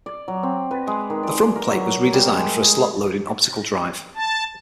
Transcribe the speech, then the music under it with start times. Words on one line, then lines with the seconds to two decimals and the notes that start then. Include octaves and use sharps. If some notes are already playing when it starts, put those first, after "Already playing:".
The front plate was redesigned for a slot-loading optical drive.
0.06 D5
0.28 F#3
0.43 C4
0.71 B4
0.87 G#3
1.10 D#3
1.23 D5
1.56 A#4
1.71 F#3
2.13 G3
2.36 G#3
2.62 G#4
4.15 A5